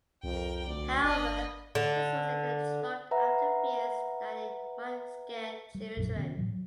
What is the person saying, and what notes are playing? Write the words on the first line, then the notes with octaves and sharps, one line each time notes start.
However, this was later dropped after fears that it might scare children.
C2 F2 A#4 G5
D2 D5
G1 D4 D#5 B5
D3
B4 E5 F#5 A#5
G3
A#1 F#2 D4
C3 D#3 B3 C#4
A2 E3 F#3
F#3